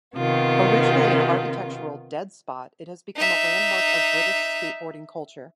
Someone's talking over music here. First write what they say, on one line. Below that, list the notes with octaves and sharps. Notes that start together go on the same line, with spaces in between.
Originally an architectural dead-spot, it has become a landmark of British skateboarding culture.
C3 D#3 B3 F4
D#4 E5